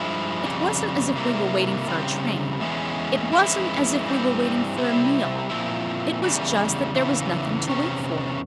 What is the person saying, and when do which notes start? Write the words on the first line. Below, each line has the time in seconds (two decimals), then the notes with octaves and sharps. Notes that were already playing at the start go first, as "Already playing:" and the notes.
It wasn't as if we were waiting for a train, it wasn't as if we were waiting for a meal--it was just that there was nothing to wait for.
Already playing: G2 F3 G#3 E4
0.43 F2 C#3 G3
1.16 C3 G3 A#3 E4
1.88 C#3 G3 C4
2.60 E2 E3 G#3 C#4
3.33 F2 E3 G#3 C#4 E4
4.05 G2 E3 G3 C4
4.77 C3 G3 C4 E4
5.50 A#2 F3 C4 E4
6.22 E2 C#3 G3
6.94 E2 C#3 E3
7.67 E2 C3 C#4